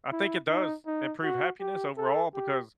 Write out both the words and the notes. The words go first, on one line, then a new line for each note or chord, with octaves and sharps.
I think it does improve happiness overall because
E4
D#4
D#4
F#4
G4
A4
G4